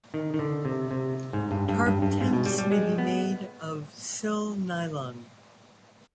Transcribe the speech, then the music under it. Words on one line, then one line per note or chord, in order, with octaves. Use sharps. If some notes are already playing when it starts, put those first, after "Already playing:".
Tarp tents may be made of silnylon.
D#3
D#3
D3
C3
C3
G#2
G2
G2
G2
G2
G#2
B2
G3
G3
G#3
B3